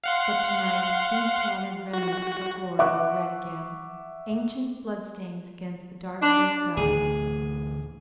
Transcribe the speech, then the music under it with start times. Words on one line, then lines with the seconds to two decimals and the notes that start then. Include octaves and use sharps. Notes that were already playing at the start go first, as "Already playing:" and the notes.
But to-night these tattered remnants of glory were red again: ancient bloodstains against the dark-blue sky.
0.04 F5 F#5 C6
1.93 F#4
2.79 E5 F#5 C#6 D6 F#6
6.22 D4
6.77 D2 A2 E3 G#4